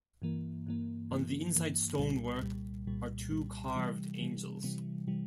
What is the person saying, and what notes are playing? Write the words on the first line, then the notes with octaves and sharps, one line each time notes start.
On the inside stonework are two carved angels.
G2 E3 A#3
G2 E3 A#3
G2 E3 A#3
G2 E3 A#3
C2 A#2 G3
C2 A#2 G3
C2 A#2 G3
C2 A#2 G3
C3 E3 G3
C3 E3 G3
C3 E3 G3
C3 E3 G3